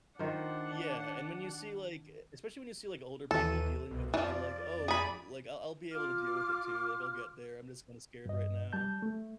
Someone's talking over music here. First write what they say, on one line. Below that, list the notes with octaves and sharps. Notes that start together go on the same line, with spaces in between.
Yeah, and when you see, like e especially when you see, like, older people dealing with it, you're like, "Oh, like, I'll I'll be able to deal with it, too, like, I'll get there, I'm just kinda scared right now."
D#3 D4 F4 C5 F#5
D#2 E3 A4 D#7
C2 B2
F2 E3 F3 D5
G#4 B5
F4 D6 F6
G2 D#5
G3 A5 G6
A3